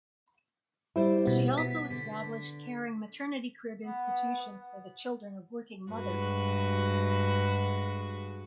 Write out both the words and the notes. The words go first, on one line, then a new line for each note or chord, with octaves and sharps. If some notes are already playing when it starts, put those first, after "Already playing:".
She also established caring maternity crib institutions for the children of working mothers.
G3 E4 C5 D5
B2 B3
B3 B6
D3
B3
G2 G#3 F#4 B4